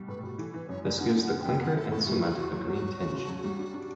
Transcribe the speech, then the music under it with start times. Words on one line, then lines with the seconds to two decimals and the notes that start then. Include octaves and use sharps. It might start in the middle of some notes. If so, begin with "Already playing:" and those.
This gives the clinker and cement a green tinge.
Already playing: B2 G3
0.08 A2 B4
0.23 A2 F#4
0.38 E3 A4
0.53 E3 B4
0.69 F#2 C#5
0.84 F#2 D5
0.99 D3 F#5
1.15 D3
1.20 F#5
1.30 D3
1.41 F#2 G5
1.61 B3 F#5
1.76 E4 A4
1.91 A2 A4
2.07 G3 F#4
2.21 E2 E4
2.37 E2 F#4
2.52 F#3 E4
2.68 E2 F#4 G4
2.82 F#3
2.98 C#4
3.12 C#3
3.28 F#3
3.44 G3
3.59 D4
3.74 D4